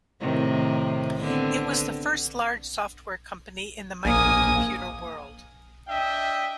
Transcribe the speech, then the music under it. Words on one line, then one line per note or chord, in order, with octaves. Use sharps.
It was the first large software company in the microcomputer world.
A2 C3 D#3
D3 B3 C4
A#1 A#3 G#5 D#6
D4 D#5 E5 G5